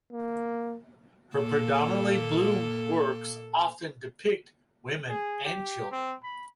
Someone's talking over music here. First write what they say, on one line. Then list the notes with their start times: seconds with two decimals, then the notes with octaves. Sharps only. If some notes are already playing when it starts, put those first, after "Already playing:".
Her predominately blue works often depict women and children.
0.12 A#3
1.36 A#2 A#3 A4
5.09 G#4
5.44 G4
5.91 C4
6.23 B5